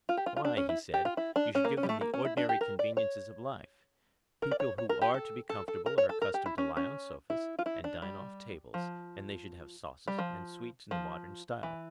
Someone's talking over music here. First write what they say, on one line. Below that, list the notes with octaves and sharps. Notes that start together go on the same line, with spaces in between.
Why, he said, you should give them the ordinary conveniences of life. People who are to be comfortable are accustomed to lie on sofas, and dine off tables, and they should have sauces and sweets in the modern style.
F4
G4
F4
F4
D4
C#4
E4
G4
F4
E4
D4
C#4
A#3
C#4
G3
A3
A#3
C#4
E4
D4
G4
A#4
D5
C#5
A#4
D5
C#5
C#5
A#4
G4
A4
A4
A4
A#4
C#5
A4
A#4
G4
E4
C#4
C#4
E4
F4
E4
D4
G3
F3
G3
F3
F3
E3